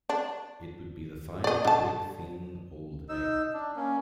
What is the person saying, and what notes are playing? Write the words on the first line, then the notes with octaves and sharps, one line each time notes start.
It would be the fine, big thing, old egg.
D4
D5 D#5
D3 A5
D#4 E6
D4
A#3 C#4